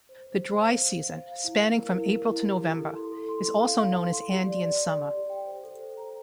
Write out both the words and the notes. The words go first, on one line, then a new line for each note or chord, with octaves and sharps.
The dry season, spanning from April to November, is also known as "Andean summer".
C5
C5
C5
F5
C5
C5
C5
F5
E4
A#4
A#4
E4
A#4
E4
G4
E4
A4
C6
A4
C6
C6
F5
F5
C6
C6
G4
D5
D5
D5
D5
G4
G5
C5
A4
C5
A#5